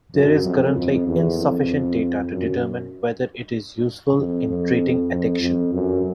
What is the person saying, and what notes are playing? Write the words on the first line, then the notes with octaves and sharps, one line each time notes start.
There is currently insufficient data to determine whether it is useful in treating addiction.
F#2
F2
F2
E2
F2
F#2
F2
F2
F2
F2
F#2